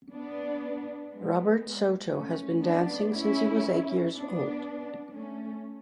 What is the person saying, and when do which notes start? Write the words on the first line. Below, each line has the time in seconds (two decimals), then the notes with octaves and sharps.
Robert Soto has been dancing since he was eight years old.
0.11 B3 D4
1.11 G#3 B3
2.12 A3 C#4
2.61 B3 D4
3.12 C#4 E4
4.12 B3 D4
5.13 A3 C#4